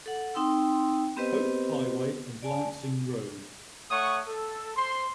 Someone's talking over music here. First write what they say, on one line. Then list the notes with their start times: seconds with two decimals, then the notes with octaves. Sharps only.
Hope Highway and Lansing Road.
0.06 A4 F#5
0.34 C4 D#4 G5 C6 E6
1.17 B3 C4 G4 B4 C5 D#5
2.42 D5 G#5 A5
3.90 A3 C#5 F#5 C#6 D#6
4.27 A4
4.76 C5 C6